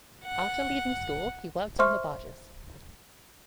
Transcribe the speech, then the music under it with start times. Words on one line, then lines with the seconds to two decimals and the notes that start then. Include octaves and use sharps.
After leaving school he worked on the barges.
0.25 F#5
1.79 C5 E5 C6 C#6 F6